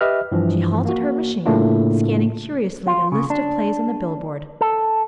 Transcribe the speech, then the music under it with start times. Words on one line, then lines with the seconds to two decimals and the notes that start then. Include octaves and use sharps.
She halted her machine, scanning curiously the list of plays on the billboard.
0.01 G4 B4 D#5 E5 F6
0.32 G2 E3 F3
0.85 A#3 F#4
1.46 A2 C#3 A3 A#3 D4 F4
2.87 F4
3.12 C#3
3.30 D4
4.61 A4